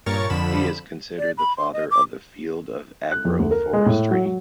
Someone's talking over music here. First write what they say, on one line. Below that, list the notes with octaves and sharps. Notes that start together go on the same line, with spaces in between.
He is considered the father of the field of Agroforestry.
G2 A#2 A#4 C#5 C#6 A6
F2 D3 F3 B5 E7
D5
B5
C6
D#5
D6
F#6
F2
D2
A#4
G#3
A2
F#3
F#3